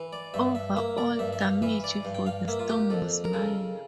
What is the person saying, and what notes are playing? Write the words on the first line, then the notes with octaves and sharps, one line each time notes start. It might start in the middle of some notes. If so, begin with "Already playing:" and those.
Overall damage from the storm was minor.
Already playing: E3
D5
G2 E5
E5
A#3 E5
D5
G2 E5
E5
F5
E3 E5
D5
G2
G5
F5
A#3 E5
F4
G4
F2 A4
A#4
C#3 A4